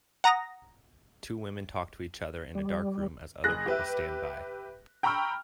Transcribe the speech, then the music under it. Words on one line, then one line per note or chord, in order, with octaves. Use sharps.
Two women talk to each other in a dark room as other people stand by.
F#5 A#5 D#6 A#6
G3
F#1 G#4 F#6 A#6
G4 B4 E5
G5 A#5 B5 C#6 E6 F6